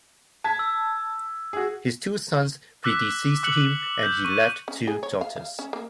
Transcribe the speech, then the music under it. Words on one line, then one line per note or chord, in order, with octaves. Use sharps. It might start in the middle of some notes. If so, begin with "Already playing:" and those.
His two sons predeceased him and he left two daughters.
A5 G#6 B6
E6
F#4 G#4
D6 E6 F#6 B6
D6 E6 F#6 C#7 F#7
G6
C#6 D#7
C#4
G#4
C#5
F5
F5
C#4
A#3